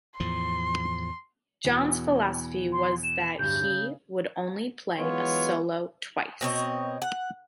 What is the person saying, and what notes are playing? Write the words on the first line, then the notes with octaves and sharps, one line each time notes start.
John's philosophy was that he would only play a solo twice.
E2 A2 F3 C6
E2 B2
C6
E7
D1 G2 G6
C#3
E3 F#3 G#3 B3 F4 C#5
B2 C4 C#5 D#5
F#5